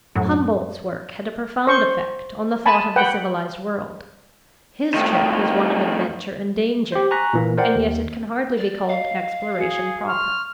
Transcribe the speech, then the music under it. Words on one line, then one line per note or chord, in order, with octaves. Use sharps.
Humboldt's work had a profound effect on the thought of the civilized world; his trip was one of adventure and danger; and yet it can hardly be called exploration proper.
F#2 A2 F#3
C5 C#6
G#5 A5 B5
B4 F#5 G5
A2 D#3
G4 C5
G#5 A#5 C#6 F#6 A#6 B6
A#2 E3 A#3
A#4 C5 D5 F#5 G5
D#2
D5
D#5 F5
F#4 G#4 C#7
C6 C#6 F6